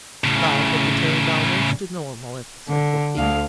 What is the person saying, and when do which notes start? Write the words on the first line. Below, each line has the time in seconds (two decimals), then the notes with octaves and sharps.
Life had returned almost to normal at the Circle T.
0.24 A2 C#3
2.69 D3
3.17 D2 F5